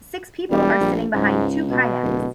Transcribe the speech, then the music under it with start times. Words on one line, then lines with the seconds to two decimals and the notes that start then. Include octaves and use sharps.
Six people are sitting behind two kayaks.
0.50 E1 G3
0.80 A#1
1.14 C#2 G#2
1.70 B2
2.03 D1